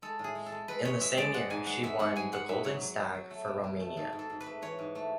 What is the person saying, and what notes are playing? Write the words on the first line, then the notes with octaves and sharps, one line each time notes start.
In the same year, she won the "Golden Stag" for Romania.
G#3 A4
A2 G#4
G#3
A4
G#3
G#3 B4
G#3 C#5
G#3 E5
G#3 D5
G#3 F#5
G#2 G#5
G#3 F#5
G#3 E5
G#2 F#5
G#3 G#5
G#3 F#5
G#2 E5
F#3 C#5
F#3
F#3
F#3
A3
B2
B2
A3
G#2 A4
G#2
A4
G#2
B4
A3
E3 C#5
G#2
A3